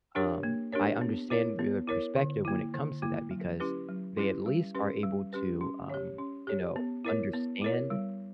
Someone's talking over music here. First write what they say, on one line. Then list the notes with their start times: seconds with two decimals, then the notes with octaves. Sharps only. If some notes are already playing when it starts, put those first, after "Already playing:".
um, I understand their perspective when it comes to that because they at least are able to, um, you know, understand
0.15 D4 G4 A#4 C#5
0.43 A#3
0.72 D4 G4 A#4 C#5
1.01 B3
1.30 E4 A#4 C#5
1.59 B3
1.87 E4 A#4 C#5
2.16 D3
2.45 A#3 E4
2.74 D3
3.02 A#3 E4
3.31 F#3
3.60 C#4 E4 G4 B4
3.89 F#3
4.17 C#4 E4 G4 B4
4.46 G3
4.75 C#4 G4 B4
5.03 G3
5.33 C#4 G4 B4
5.61 C#4
5.89 G4 C#5
6.19 C#4
6.47 G4 C#5
6.76 B3
7.05 E4 A#4 C#5
7.33 B3
7.62 E4 A#4 C#5
7.90 G3